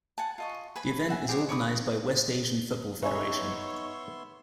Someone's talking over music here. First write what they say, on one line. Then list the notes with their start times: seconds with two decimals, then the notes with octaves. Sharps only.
The event is organized by West Asian Football Federation.
0.18 F#5 G#5 A5
0.38 F4 D#5 C#6
0.76 B4 G#5 B5
1.09 E5 F#5 G#5
1.28 G4 G#4 C5 F#5
1.49 C#5 D5 B5 D#6
3.03 E3 B3 C#4 D#4 C#5 E5 C6